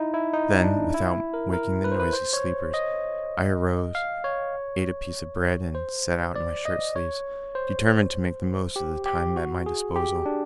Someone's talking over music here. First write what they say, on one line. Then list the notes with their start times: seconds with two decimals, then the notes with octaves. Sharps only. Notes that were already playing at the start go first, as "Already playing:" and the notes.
Then, without waking the noisy sleepers, I arose, ate a piece of bread, and set out in my shirt-sleeves, determined to make the most of the time at my disposal.
Already playing: D#4 E4
0.14 E4
0.33 D#4
0.64 D4
0.94 E4
1.34 A#4
1.53 A#4
1.84 B4
1.92 C5
2.00 B4
2.13 C5
2.33 C#5
2.74 D#5
3.95 F5
4.24 C#5
5.75 C5
6.36 D5
6.65 D#5
6.96 C#5
7.55 C5
8.76 G4
9.06 G4
9.36 F#4
9.66 G#4
9.96 G4
10.26 D4